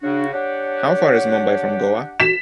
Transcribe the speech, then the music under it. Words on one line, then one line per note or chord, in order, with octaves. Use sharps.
How far is Mumbai from Goa?
C#3 D4 F#4
D4 G4 C#5 F#5
F#4 B6 E7